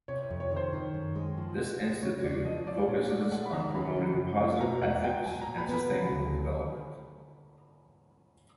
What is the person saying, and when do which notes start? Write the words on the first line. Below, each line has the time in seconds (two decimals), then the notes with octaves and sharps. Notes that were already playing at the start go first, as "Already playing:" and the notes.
This institute focuses on promoting positive ethics and sustainable development.
0.08 C3 C#5
0.31 F2
0.40 C#5
0.51 D#3
0.56 C5
0.73 D#3
0.94 F#2
1.16 G#3
1.38 F3
1.59 C3
1.80 G#3
2.02 C#3 C#5
2.24 E2 D5
2.45 F3 D#5
2.67 F3 D5
2.88 A#2 C#5
3.10 A3 D5
3.32 G#3 F#5
3.46 B5
3.53 D#3 A#5
3.75 C#4 B5
3.96 C#3
4.17 F#2
4.39 F#3
4.61 B2 A#5
4.82 E2 F#5
5.04 G#3 G5
5.26 F#3 G#5
5.41 A#5
5.47 A#2
5.58 B5
5.69 B3 B5
5.90 C#3
6.12 D2